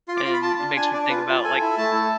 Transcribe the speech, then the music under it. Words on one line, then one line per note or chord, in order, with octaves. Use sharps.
And it makes me think about, like,
F4 C6
D6
F4 C6
B5
F4 A5
D4
D4 G#5
D4 D5
F4 B4
F4
A4 G#5
E4
A3 A5
A4